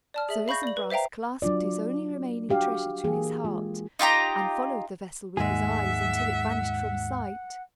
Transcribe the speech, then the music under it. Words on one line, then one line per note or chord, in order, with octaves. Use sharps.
Sir Isumbras clasped his only remaining treasure to his heart, and followed the vessel with his eyes until it vanished from sight.
D5 A5 F6
G#4 E5 F#7
F5 B5 C#6 G6 A#6
D5 F#7
B4
C5 E5 F5 G5 A#5
F#3 D4 F4 D5
D4 F#4 G4 F5
E3 A#3 G#4
G#3 F4
D#4 F4 G4 A#5
D#2 G#2 G#3 G#4 E5 F#5